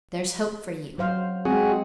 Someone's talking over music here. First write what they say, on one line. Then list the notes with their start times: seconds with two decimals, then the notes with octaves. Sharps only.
There's hope for you.
0.98 F#3 C5 F5
1.45 G#3 C4 F#4 G#4